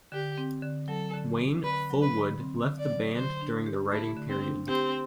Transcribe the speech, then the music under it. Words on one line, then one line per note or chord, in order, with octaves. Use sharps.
Wayne Fullwood left the band during the writing period.
D3 G4
C4
D3
F#3 A4
D3
C4
D3 B4
F#3
B4
D3
C4
D3
D5
F#3
D3 C5
D4
G4
A3 E4
D3
C4
D4
C4 G4